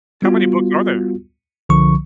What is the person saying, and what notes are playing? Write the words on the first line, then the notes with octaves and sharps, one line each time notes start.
How many books are there?
G3 B3 F4 F#4
C2 D3 F3 C#6